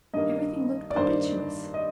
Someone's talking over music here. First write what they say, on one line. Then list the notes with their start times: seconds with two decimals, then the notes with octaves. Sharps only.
Everything looked propitious.
0.14 G2 D#3 A#3 D#5
0.90 D5
0.96 G2 D#3 A#3 C5
1.74 D#5